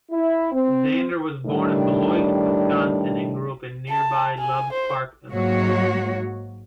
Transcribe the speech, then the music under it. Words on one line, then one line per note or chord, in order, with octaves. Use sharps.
Zander was born in Beloit, Wisconsin, and grew up in nearby Loves Park, Illinois.
E4
C4
A2 D#3 G3 D4
A5
G#5
C5
G#2 F#3 A#3 F#4 C#5